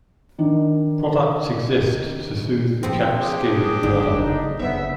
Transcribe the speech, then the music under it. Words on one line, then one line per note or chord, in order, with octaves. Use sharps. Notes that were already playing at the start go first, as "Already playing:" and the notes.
Products exist to soothe the chapped skin of the udder.
D#3 D4
F3 C4
D4 G4 G#4
G1 D3
F#1 D#4
F#1 A2 C#3 B3 E5